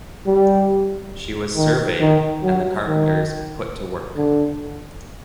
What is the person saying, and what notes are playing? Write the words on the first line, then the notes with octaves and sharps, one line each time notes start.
She was surveyed and the carpenters put to work.
G3
D#3
D#3
F#3
D#3
D3